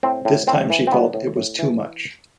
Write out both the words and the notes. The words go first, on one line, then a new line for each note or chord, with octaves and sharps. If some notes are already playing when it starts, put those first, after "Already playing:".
This time she felt it was too much.
A2 C4
A2
A2 C4
E3
C4
A2 B3
A2
A2
E3